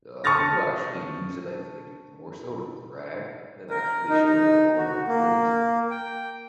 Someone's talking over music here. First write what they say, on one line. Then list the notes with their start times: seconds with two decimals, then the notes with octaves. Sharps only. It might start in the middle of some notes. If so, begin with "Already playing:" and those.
uh, people actually use it, I think, more so to brag than actually show their vulnerabilities.
0.24 A5 C#6 D#6 F6 A6 A#6
3.70 A#4
4.09 D#4
4.25 D#4
4.78 F#4
5.08 A#3
5.91 G5